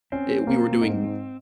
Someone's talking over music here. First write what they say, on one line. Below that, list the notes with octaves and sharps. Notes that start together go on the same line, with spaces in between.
i we were doing
C4 C#4
A#3
G#2